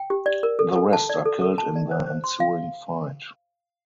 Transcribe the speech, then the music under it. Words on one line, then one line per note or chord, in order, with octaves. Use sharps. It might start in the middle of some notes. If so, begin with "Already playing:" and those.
The rest are killed in the ensuing fight.
Already playing: G5
G4
D5
A#4
A4
A4
A5
D5
A4
A4
A5
D5
C5
C5
C6
F5